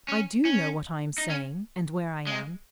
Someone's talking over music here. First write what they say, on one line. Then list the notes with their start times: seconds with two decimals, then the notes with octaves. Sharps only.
I do know what I am saying and where I am.
0.08 C#4
0.45 C#4
1.18 D#4
1.30 C#4
2.27 G#3